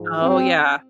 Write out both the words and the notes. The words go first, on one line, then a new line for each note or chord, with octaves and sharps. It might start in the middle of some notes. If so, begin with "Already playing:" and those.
Oh, yeah.
Already playing: G#2 F3 G#3
C4